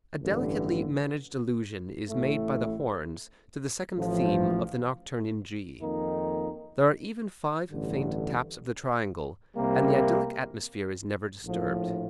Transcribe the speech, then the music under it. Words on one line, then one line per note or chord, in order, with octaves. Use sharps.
A delicately managed allusion is made by the horns to the second theme of the nocturne in G. There are even five faint taps of the triangle, and the idyllic atmosphere is never disturbed.
A1 G2 D3
A1 A2 A3
A1 A2 F3
F2 D#3 A#3 D#4
A1 G2 D3
C2 C3 G3 A#3
A#1 A2 F3